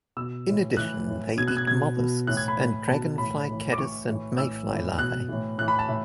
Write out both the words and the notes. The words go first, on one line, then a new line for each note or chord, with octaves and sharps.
In addition, they eat mollusks and dragonfly, caddis and mayfly larvae.
B2 E6
A2 E3
A2 E3 F#6
A2 E3
B2 G#6
F#6
G#6
B2 G#6
B2
A2 E3 F#6
G#6
B5
A2 E3
B2 A5
A2 E3 B5
A2 E3
D6
A2 E3 C#6
A2 E3
A2 E3 E6
A2 E3
B2 F#6
A2 E3
A2 E3 F#6
B5
A5
A2 E5